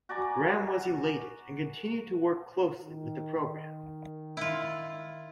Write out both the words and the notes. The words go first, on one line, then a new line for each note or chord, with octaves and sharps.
Graham was elated and continued to work closely with the program.
F#4 D5 G#5 A#5
D#3
E4 F4